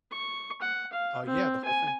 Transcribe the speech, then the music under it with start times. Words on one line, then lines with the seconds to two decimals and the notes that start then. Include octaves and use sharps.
Uh, yeah, the whole thing
0.11 C#6
0.61 F#5
0.92 F5
1.25 C4
1.64 G#5